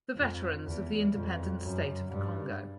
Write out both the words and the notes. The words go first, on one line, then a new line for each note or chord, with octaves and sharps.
The veterans of the Independent State of the Congo.
F2
E2
F2
F#2
G2